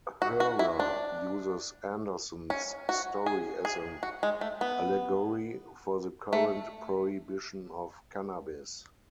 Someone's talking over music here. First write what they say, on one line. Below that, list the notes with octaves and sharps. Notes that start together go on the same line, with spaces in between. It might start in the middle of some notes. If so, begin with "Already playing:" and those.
Herer uses Andersen's story as an allegory for the current prohibition of Cannabis.
F#4
F#4
E4
D4
C#4
F#4
G#4
G#4
F#4
G#3
A3
B3
A3